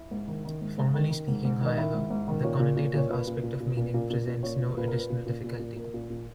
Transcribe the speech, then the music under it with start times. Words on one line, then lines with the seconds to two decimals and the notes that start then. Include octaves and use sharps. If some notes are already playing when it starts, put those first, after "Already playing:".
Formally speaking, however, the connotative aspect of meaning presents no additional difficulty.
Already playing: E4
0.11 G#2
0.27 D#3
0.45 D#3
0.61 G#2
0.78 G#2
0.94 D#3
1.11 D#3
1.28 G#2
1.45 G#2
1.61 D#3 D#4
1.77 D#3 E4
1.94 G#2
2.10 G#2
2.28 D#3
2.44 A#2 C#5
2.60 A#2
2.77 A#2
2.94 A#2 C#5
3.10 A#2 B4
3.27 A#2
3.43 A#2
3.60 A#2
3.77 A#2
3.94 A#2
4.10 A#2
4.27 A#2
4.43 A#2 C#5
4.60 A#2
4.77 A#2 B4
4.88 A#4
4.93 A#2
4.98 B4
5.10 A#2
5.26 A#2
5.44 A#2
5.60 A#2
5.76 A#2 A#4
5.94 A#2
6.10 A#2